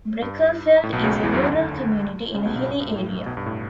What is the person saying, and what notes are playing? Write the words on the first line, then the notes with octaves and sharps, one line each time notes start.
Breckerfeld is a rural community in a hilly area.
G2
A2
B1 B2
C#2 C#3
E2 E3
F#2 F#3
D2 D3
C#2 C#3
B1 B2
B1 B2
G2
G2
A2
B1 B2
G2
A2